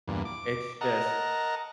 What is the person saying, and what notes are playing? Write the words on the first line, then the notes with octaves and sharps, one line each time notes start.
it's just
E2 G2 A#2
D6
A#4 D#5 F#5 A5 A#5